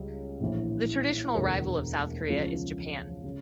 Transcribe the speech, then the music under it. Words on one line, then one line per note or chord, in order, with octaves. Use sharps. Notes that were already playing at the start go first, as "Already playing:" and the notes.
The traditional rival of South Korea is Japan.
Already playing: C#2 C#3 G3
A#1 A2 E3
E1 D2 D3 A#4
C#2 C#3 F3
C#3